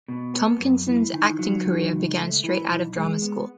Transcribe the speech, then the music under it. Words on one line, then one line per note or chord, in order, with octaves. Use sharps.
Tompkinson's acting career began straight out of drama school.
B2
B3
F#2
E3
D#3
F#3
D#3
C#2
A3
E3
B1
G#3
B3